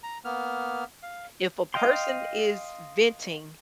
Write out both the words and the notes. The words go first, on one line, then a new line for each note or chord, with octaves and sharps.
If a person is venting,
A#5
A#3 B3 F6
F5
D#5 F5 G5 C6